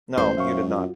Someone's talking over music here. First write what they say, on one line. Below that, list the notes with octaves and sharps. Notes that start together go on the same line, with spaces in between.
No, you did not.
A1 C5
F#2 E5 F5 C#6
C#4 F4 F#4